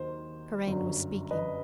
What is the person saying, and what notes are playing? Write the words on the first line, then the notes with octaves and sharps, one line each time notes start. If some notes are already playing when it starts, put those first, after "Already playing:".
Karain was speaking.
Already playing: D#2 D#3 F#3 C5
G1 F#2 F#3
B4 D#5